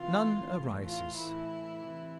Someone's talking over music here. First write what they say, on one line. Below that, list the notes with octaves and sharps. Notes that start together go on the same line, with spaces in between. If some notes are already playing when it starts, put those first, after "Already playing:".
None arises.
Already playing: C3 E3 F4
A2 E3
F4
A2 E3 E4
C3 E3